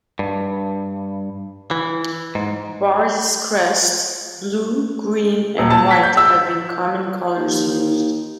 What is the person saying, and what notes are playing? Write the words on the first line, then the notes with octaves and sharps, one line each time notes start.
Bar this crest, blue, green and white have been common colours used.
G2
E3
G#2
D#1
A5
B6
G6
E6
D#2